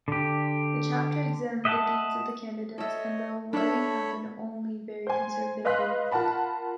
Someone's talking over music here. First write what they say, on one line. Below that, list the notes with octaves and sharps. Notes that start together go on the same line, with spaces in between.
The chapter examined the deeds of the candidates and the awarding happened only very conservatively.
D3 G4
D#5 E5 F#5 G5 A5
A4 C#5 D#5 E5
D4 A4 C#5 E5 B5
C5 G#5
B4 D#5 F5 C6 F#6 B6
F4 A#4 F#5 A5 B5